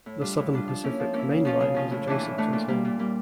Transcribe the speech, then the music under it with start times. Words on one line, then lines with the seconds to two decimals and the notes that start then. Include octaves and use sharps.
The Southern Pacific main line was adjacent to his home.
0.06 A2
0.21 G3 D4 F4
0.37 A2
0.53 G3 D4 F4
0.68 F3
0.84 A#3 C#4 E4
1.00 F3
1.14 A#3 C#4 E4
1.30 C#3
1.45 F3 C#4 F4
1.60 C#3
1.75 F3 C#4 F4
1.91 A2
2.08 E3 A3 D4
2.23 A2
2.38 E3 A3 D4
2.53 A#2
2.68 G3 A#3
2.85 A#2
2.99 G3 A#3